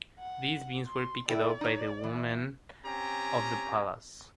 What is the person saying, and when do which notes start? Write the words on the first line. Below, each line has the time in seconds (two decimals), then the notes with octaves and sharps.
These beans were picked up by the women of the palace.
0.20 F#5
0.87 C6
1.29 E4 A4 D5 G5
1.61 D#4 C#5
2.03 E3
2.85 C4 C#4 G4 G#5 A#5